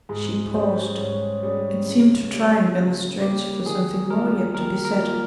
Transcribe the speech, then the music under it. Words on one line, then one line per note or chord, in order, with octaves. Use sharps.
She paused, and seemed to try and gather strength for something more yet to be said.
G#2 G#4
G3 C#4 G#4 C5
G#2 C#5
G3 C#4 G#4
C#3
G3 A#3
C#3
G3 A#3 G4
D#3 G#4
G3 A#3 F4 A#4
D#3 A#4
A#4
G3 A#3 F4